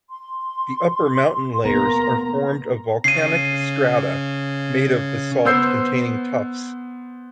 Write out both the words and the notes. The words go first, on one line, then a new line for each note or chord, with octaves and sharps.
The upper mountain layers are formed of volcanic strata made of basalt containing tuffs.
C6
A#3 B3 A#5
C#3 C7 D#7
B3 C5 E6 G6 C7